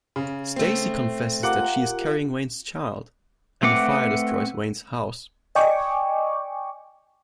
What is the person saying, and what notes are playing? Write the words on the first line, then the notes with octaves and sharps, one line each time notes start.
Stacy confesses that she is carrying Wayne's child, and a fire destroys Wayne's house.
C#3
A3 C4 C7
F4 G4 A#4 F#5 D6
A3 C4 B4 F#5 D6
D5 D#5 G5 G#5 C#6 D6